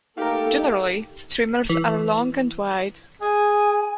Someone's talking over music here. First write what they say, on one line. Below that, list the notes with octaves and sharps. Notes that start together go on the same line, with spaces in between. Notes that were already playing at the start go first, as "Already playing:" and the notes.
Generally, streamers are long and wide.
A3 A#3 D#4 G4 A4 A#4 F5
E3
G#4 G#5